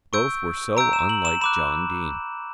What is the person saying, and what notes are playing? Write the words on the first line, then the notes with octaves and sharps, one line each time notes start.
Both were so unlike John Dene.
C#6 E6 G6 D7
A#5 E6 G6 D7
E7
F#7
E7
B5 D6 F#6 E7